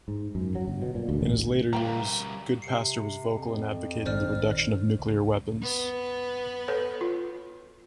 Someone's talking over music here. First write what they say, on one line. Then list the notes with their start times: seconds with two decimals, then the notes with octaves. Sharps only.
In his later years, Goodpaster was vocal in advocating the reduction of nuclear weapons.
0.08 G#2
0.35 F#2
0.55 F#3
0.68 G1
0.82 B2
0.95 A#2
1.09 D2
1.21 A1
1.73 G3 A#4 F5 G5 A#5
2.62 C3 C7 C#7
3.34 F2
4.06 A#1 D#3 C5 D5 F6
4.99 C#2
5.62 B3
6.68 A4 B4 C#5
7.01 F4